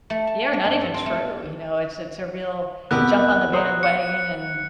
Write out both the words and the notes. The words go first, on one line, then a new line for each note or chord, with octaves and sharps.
Yeah, or not even true, you know? It's it's a real jump on the bandwagon and
A3
A5
D4
G2
A4
C4
A3
E2 B2 B3 C4 E4 G4 A#4 F#6
C5 A#5 D#6 E6
F#5 C#7